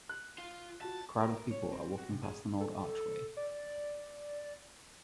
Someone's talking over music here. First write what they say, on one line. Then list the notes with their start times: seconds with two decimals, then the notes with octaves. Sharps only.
A crowd of people are walking past an old archway.
0.09 F#6
0.38 F4
0.81 F4 F#4 A5
1.21 A#4
1.51 C#5
1.72 C4
1.98 F#4
2.10 C3
2.23 G#4
2.60 A4
3.37 D5